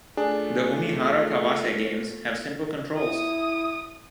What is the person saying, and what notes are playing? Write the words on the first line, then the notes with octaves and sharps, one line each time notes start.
The Umihara Kawase games have simple controls.
A3 D4 F4 G#4
E4 D#6